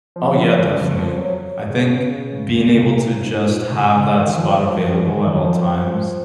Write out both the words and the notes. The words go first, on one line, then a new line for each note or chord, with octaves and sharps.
Oh yeah, definitely, I think being able to just have that spot available at all times
F3
F3
C#3
F3
F3
F#3
C#3
C#3
C3
G#2
A#2
C#3
D#3
F3
F#3
F3
F3
D#3
F#3
F3